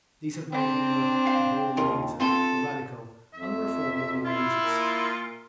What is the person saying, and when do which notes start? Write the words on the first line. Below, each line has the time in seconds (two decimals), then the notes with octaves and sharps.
These have made him the "born orator," the radical and the reformer of all ages.
0.52 C4 D4 G5
1.27 F5
1.77 D#2 F4 A#4
2.20 C4 F4 A4 C6
3.33 F2 E5
4.25 E4 F4
4.57 A#2